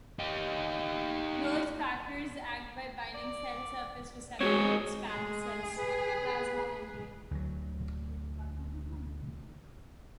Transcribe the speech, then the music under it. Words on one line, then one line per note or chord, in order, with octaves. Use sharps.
Growth factors act by binding cell surface receptors that span the cell's plasma membrane.
D#4 G4
D5
G#3 C4 F#4 G#4 C#5
G#3 G#4
B4
D2 F#3